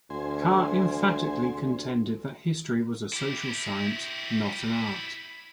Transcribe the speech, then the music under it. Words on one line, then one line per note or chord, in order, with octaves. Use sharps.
Carr emphatically contended that history was a social science, not an art.
D2 C5 G#5
E4 G4